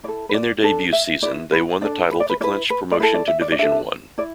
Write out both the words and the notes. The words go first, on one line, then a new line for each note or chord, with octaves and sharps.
In their debut season they won the title to clinch promotion to Division One.
E4 A4 D5
B4
D5
D4 A4
E5
E4 B4 D5
B4
D4 A4 D5
B4
D5
B4
E4 B4 D5
B4
D5
E4 A4 B4
D5
E5
D5
D5
D4 A4 E5
E4 D5